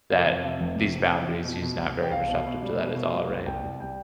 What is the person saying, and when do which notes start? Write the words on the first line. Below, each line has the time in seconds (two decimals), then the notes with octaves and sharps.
that these boundaries, he's not very receptive to that is all. Right?
0.10 C3 F5
0.27 F2
0.37 F5
0.44 C3 E5
0.61 F1
0.78 C3
0.94 C3
1.12 E3
1.28 F2
1.44 B2
1.62 B2
1.78 C2
1.95 C2
2.03 G5
2.11 C2 F5
2.28 B2
2.46 B2
2.62 G3
2.79 B2
2.95 B2
3.12 G3
3.29 C2
3.46 C2 G5
3.64 C2
3.80 G3 G5